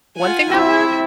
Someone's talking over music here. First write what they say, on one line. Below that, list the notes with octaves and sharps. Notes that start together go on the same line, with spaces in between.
One thing that worked
F4 F#5 G#5
C4 E4 G4 A4 E5